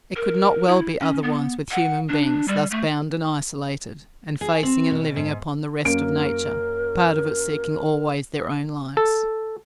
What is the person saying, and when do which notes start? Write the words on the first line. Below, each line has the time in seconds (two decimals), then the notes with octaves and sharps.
It could not well be otherwise with human beings thus bound and isolated and facing and living upon the rest of nature, part of it seeking always their own lives.
0.16 A#4
0.68 E4
1.00 C#4
1.23 B3
1.71 F#5
2.09 D4
2.48 G3
2.71 A3
4.41 G#4
4.63 C4
4.91 B2
5.16 G#2
5.85 F#2 A#3 A#4 D7
8.97 A4